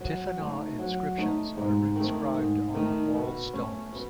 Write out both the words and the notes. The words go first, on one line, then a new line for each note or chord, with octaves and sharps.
Tifinagh inscriptions are inscribed on the wall stones.
F#3
A3 D#4
F#3
A3 D#4
G#2
D#3 A3 D#4
G#2
D#3 A3 D#4
B2
A3 C#4
B2